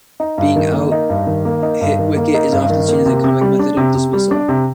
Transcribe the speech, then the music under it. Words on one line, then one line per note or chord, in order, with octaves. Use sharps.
Being out hit-wicket is often seen as a comic method of dismissal.
D#4
G2
D#3
A#3
D#4
G2
D#3
A#3
D#4
G2
D#3
A#3
D#4
G2
D#3
A#3
C3
C3
G3
D4
C3
C3
G3
D4
C3